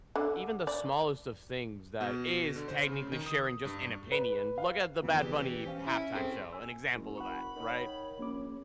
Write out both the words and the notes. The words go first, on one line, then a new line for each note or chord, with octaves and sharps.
even the smallest of things that is technically sharing just an opinion. Look at the Bad Bunny Halftime show, an example of that, right?
D3
D5
B2
D3
C5
C#3
D#3
D#6
G2
B4
F5
G1 F2 E3
E1 G4 G#4 E7
C#4 C5 F5
E4
C4 G#4 A4 B6
G#5 E6
F#1 A#4
F#5 B5 C#6
D#3 C#5
A#1 A#3 C#4 D6